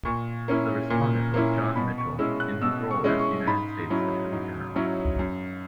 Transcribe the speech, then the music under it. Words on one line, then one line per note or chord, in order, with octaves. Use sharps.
The respondent was John Mitchell in his role as United States Attorney General.
A#2 C#6
A#3 C#4 E4
A#2
A#3 C#4 E4
B2 B5
C#6
G#3 C#4 E4 E6
F#6
B2 E6
C#6
G#3 C#4 E4
C#6
G#2 B5
F#3 C#4 E4
G#2
F#3 C#4 E4
F#2